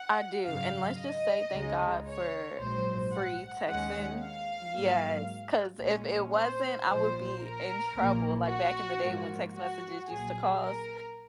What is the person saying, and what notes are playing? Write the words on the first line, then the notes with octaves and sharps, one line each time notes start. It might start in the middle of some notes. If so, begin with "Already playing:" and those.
I do, and let's just say thank God for free texting, yes, ‘cause if it wasn't, I would be in trouble, like back in the day when text messages used to cost,
Already playing: F#5
G#1 F#2 C#3 F5
D#5
C#2 C#3 G#3 D#4
C#5
A#1 G#2 F#3 C5
F#5
D#2 D#3 G#3 C#4 F#5
F5
G#2 F#3 A#3
A#1 A#2 G#3 C#4
C5
A#1 A#2 F3 C5
A#4
A#1 A#2 F3 A#3
F#4
G#2 F3 A#3
F#4
A#1 A#2 F#3 G#4
A#4